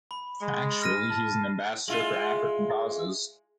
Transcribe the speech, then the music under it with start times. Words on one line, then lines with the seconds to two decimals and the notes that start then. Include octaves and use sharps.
Actually, he is an ambassador for African causes.
0.11 B5
0.42 G#3
0.82 F6 A#6 D#7
1.10 A5
1.88 G#3 E4 F4